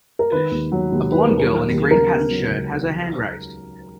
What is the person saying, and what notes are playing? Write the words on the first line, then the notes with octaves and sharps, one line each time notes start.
A blond girl in a green patterned shirt has her hand raised.
A#4
D#3 B4
D#2
F#3
D#2
D#3 B4
A#4
D#2
A#4
F#3
D#2
C#3 A#4
B3
F#3
C#2